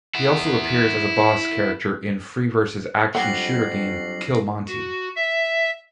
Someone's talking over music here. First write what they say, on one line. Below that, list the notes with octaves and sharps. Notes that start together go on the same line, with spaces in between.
He also appears as a boss character in Freeverse's action shooter game "Kill Monty".
E4 F#5
F2 F#3 G3 D4 F#5 A#6 C7 F#7
F#4
E5